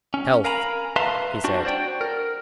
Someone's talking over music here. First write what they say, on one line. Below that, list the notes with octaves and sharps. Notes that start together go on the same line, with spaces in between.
"Health," he said.
C#4
A#4 F5 G#5 A#5 B5
B4 E5 F5 A5 A#5 C6
G3 D4 F#4
F#4 C5 D5 G5
A#4